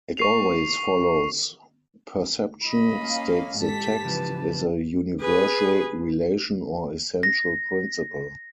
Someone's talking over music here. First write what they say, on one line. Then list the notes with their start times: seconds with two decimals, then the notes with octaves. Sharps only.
It always follows perception, states the text, is a universal relation or essential principle.
0.17 C#6 C7 F7
2.64 D#5 B5
2.95 A#3 C#4 F5
3.58 G#2 G4 A4 A5 B6
4.05 C#3 E3 F3 B4
5.21 G#4 B4
7.23 A#6